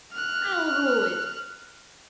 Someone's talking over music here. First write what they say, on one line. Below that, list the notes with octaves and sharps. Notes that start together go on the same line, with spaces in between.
"I'll rule it!"
F6 F#6